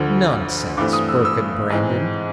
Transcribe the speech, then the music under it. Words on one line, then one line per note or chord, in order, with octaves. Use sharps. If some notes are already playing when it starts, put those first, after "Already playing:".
"Nonsense!" broke in Brandon.
Already playing: D2 D3 F3
G2 E3 A3 C4 D6
D#6
E6
E6
G#2 E3 G#3 C4